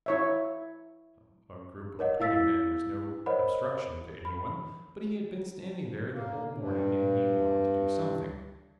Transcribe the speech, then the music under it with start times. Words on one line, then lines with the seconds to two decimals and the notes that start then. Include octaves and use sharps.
A group of twenty men was no obstruction to anyone, but he had been standing there the whole morning, and he wanted to do something.
0.06 E4 C#5 E5
1.99 A#4 C#5 D#5 F#5
2.20 E4 F5 E6 A6 B6
3.26 A#4 C5 C#5 D#5 F#5 B5
4.25 B5
6.14 A#3
6.58 G2